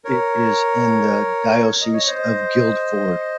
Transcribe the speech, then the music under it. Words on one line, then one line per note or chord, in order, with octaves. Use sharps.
It is in the Diocese of Guildford.
A#4 C#5
D#5
C#5
C5 D#5